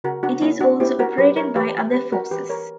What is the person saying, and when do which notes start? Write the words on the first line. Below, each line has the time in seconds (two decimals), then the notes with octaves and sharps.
It is also operated by other forces.
0.04 C#3 F#4 A#4
0.23 D4 F#4
0.42 A#3 C#4 E4
0.61 D4 F#4
0.80 C#4 E4 G4
0.99 F#4 A#4
1.18 F#3 G4 B4
1.36 A#4 C#5
1.56 E3 G4 B4
1.93 C#4 G4 B4
2.12 F#4 A#4
2.31 E3 G4 B4
2.50 A#4 C#5